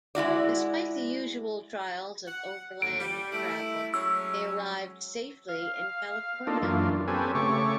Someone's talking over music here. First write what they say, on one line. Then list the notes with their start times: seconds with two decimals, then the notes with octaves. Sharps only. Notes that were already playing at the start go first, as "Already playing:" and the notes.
Despite the usual trials of overland travel, they arrived safely in California.
0.15 G#3 E4 F#4 D5
2.27 F#5
2.82 D#2 A2 D3 D7
3.00 G3
3.32 A3 E4
3.94 F#3 G#3 C#4 E6
5.49 F5
6.47 A#3 D4 D#4 F4 A4
6.62 F#2 E3 A#3 D4 F4
7.08 C4 C#4 G4 A4 B4 G#5
7.35 C#3 A3 C#5 C#6 D6